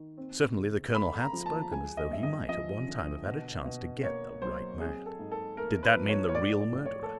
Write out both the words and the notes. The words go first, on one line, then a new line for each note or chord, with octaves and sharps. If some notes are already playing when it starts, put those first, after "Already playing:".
Certainly the colonel had spoken as though he might, at one time, have had a chance to get the "right man." Did that mean the real murderer?
Already playing: D#3
C4
C#3
A3 B5
A#5
F3
A5
G#3 G#5
D#5
G2 E5
D#5
F3 D#5
D3
B2
B2
A#3 C#5
F#3 C5
C4 G#4
A4
G#2
A4
A3 A#4
B4
F3
C#5
C#5
A2 D5
D5
A2
C#5
A4